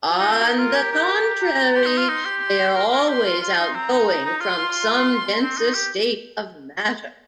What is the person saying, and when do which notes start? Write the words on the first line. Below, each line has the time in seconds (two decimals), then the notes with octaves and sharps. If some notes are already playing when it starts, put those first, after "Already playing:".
On the contrary, they are always outgoing from some denser state of matter.
0.10 F4
0.20 D#4
0.31 C4
0.42 D#4 A#4
0.59 F4
0.75 G4
0.92 G4
1.42 A#5
1.75 G4 C6
1.86 D#4
1.98 F4
2.09 D#4
2.25 G4
2.42 C6
2.75 A#4
2.91 A#4
3.08 G4 C6
3.25 F4
3.41 F4
3.58 D#4
3.75 C4 A#5
3.92 D#4
4.08 D#4
4.25 D#4
4.41 F4 C6
4.57 F4
4.74 C6
5.41 C4
5.57 D#4
5.74 G4